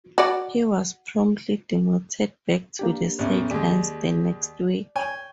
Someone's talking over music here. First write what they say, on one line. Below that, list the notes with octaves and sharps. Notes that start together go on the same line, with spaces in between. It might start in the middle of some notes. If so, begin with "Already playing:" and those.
He was promptly demoted back to the sidelines the next week.
F#4 D5
A#3 D4 G4
A1 E2
D#2 G#3 D5
C#5 G5 G#5